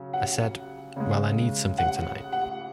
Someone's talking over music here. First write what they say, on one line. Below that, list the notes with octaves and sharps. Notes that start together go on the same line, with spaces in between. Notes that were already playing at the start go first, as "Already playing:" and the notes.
I said, 'Well, I need something tonight.
Already playing: C#3 F#3
F#5
C#3 G#3
F#5
F#5